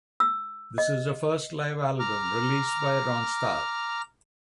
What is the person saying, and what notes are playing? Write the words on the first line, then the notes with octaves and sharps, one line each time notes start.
This is the first live album released by Ronstadt.
E6
D#5
A#5 D6 F6